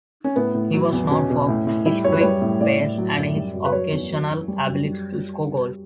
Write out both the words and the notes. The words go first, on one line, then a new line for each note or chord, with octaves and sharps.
He was known for his quick pace and his occasional ability to score goals.
C#4
A2 B3
A2
F#3
E2
B2 C#4
B2
A2
A2
G3 E4
F#2 C#5
B4
G3 C#5
A2
A2 D5
A2
F#3
F#2
G3
F#2
B4
F#3 C#5
E2
F#3
F#2
G3
F#2
G3